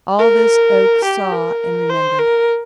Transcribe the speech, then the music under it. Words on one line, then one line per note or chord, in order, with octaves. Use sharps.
All this Oak saw and remembered.
A#4
G4
A#4
C5
A#4